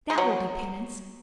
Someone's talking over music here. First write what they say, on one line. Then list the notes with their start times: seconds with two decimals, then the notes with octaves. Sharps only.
THAT will be penance.
0.10 G#3
0.18 F#3